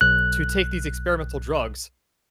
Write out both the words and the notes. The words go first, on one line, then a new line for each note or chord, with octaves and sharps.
to take these experimental drugs,
B1 F#6